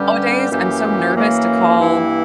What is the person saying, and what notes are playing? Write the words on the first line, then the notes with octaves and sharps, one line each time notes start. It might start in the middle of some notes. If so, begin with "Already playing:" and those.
nowadays, I'm so nervous to call
Already playing: G2 D3 G3 C#4 G4
F#2 E3 A#3 C#4 G4
F#2 E3 A#3 C#4
G2 E3 A#3 E4